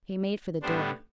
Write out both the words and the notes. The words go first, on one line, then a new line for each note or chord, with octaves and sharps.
He made for the door.
A2 G3 B3 D4 C5